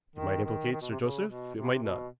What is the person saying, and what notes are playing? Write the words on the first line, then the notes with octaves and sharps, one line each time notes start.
It might implicate Sir Joseph, it might not.
D#3
D#3
D#3
B2
C3
C#3
B2
C3
B2